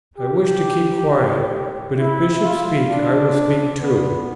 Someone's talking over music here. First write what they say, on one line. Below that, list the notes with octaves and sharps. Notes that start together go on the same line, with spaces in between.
I wish to keep quiet; but if Bishops speak, I will speak too.
G4
E4
F4
D4
B3